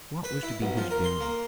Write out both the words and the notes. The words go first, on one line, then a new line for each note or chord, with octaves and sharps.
What was to be his doom?
B4
E4
B1
F3
A#4
C6
A#3